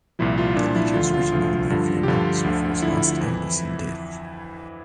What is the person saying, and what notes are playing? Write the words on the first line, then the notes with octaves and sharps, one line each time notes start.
The letter was written only a few months before his last illness and death.
C2 A#2 F3 E4
F4
C2 A#2 F3 D4
E4
D2 D3 F3 F4
F4
D2 D3 F3
G2 D3 F3
G4
G2 D3 F3 F4
D2 D3 F3
D2 D3 F3 E4
F2 E3